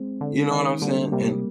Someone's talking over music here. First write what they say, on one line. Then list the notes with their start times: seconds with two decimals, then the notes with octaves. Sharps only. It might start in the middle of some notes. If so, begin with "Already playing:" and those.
You know what I'm saying? And
Already playing: G#3 C4
0.21 D3
0.51 D#3
0.81 D3 G3 A#3
1.12 C3 G3 A#3